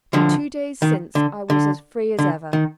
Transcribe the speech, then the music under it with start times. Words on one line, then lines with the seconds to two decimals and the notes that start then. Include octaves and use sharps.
"And two days since I was as free as ever."
0.13 D3 F3
0.82 D#3
1.15 D3
1.50 D3
2.19 D3
2.53 D#3